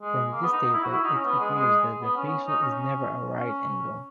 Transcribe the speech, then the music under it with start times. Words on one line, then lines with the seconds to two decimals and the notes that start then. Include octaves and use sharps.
From this table it appears that the facial is never a right angle.
0.02 G#3
0.32 A#3
0.43 B3
0.53 D#4
0.63 D#4
0.73 E4
0.84 F#4
0.93 E4
1.04 D#4
1.14 C#4
1.24 B3
1.40 G#3
1.55 G#3
2.02 B3
2.16 C#4
2.47 D#4
2.62 C#4
3.40 C#4